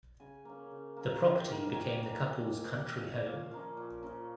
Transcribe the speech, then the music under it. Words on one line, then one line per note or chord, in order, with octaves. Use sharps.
The property became the couple's country home.
C#3 G#5
A#3 C#4 F5
C#3
A#3 C#4
D#3
A#3 C#4
D#3 G#5
A#3 C#4
D#3
C#4
D#3 F5
C#4
A#2 F5
F3 A#3 C#4
A#2
F3 A#3 C#4